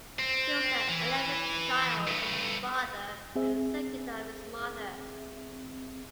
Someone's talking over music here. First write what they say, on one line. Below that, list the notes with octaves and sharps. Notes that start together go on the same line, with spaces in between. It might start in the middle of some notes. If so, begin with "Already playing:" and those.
He was the eleventh child of his father and the second of his mother.
C4
E3
G2 A3
C4 G#4 E5